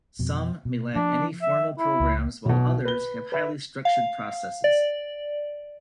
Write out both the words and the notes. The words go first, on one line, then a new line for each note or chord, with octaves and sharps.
Some may lack any formal programs while others have highly structured processes.
F2 B2
B2
F3 D4
E5
E4
C#2
B1 B2
B4 G7
B4 E5
F5
D5